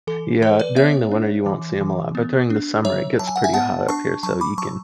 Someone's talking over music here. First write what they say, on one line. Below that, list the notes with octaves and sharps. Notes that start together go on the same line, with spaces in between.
Yeah, during the winter you won't see 'em a lot, but during the summer it gets pretty hot up here, so you can
E3 A4
E3 A4 C#5
B4 D5
B3 C#5 E5
D4
E3
E3
B3
D4
F#3 C#5 E5
F#3 A5
G#5
F#5
E5 G#5
B3 F#5 A5
D4 A5 C#6
F#3 A5 C#6
B5 D6
F#3 A5 C#6